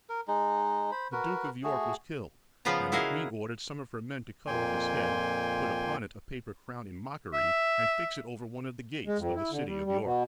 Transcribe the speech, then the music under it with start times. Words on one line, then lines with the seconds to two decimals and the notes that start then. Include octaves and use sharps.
The duke of York was killed, and the queen ordered some of her men to cut off his head, put upon it a paper crown in mockery, and fix it over one of the gates of the city of York.
0.10 A#4
0.28 G#3 D#4
0.91 C5 B5
1.12 F#4 A#4 B4
1.63 A3 F#4 G#4
2.65 C#3 F3 B3 F4 B4 A#5
2.92 E4 F#4 G#4 A#4 D#5 F5
4.47 F2 A#2 A#3 G5 G#5 C6
7.34 E5
9.07 G#3
9.19 F2
9.35 E4
9.52 D3
9.67 G3
9.85 G3
10.04 B2